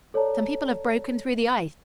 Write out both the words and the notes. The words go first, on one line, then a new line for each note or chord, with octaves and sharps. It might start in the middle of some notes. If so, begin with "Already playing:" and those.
Some people have broken through the ice.
A4 C#5 D5 A5 A#5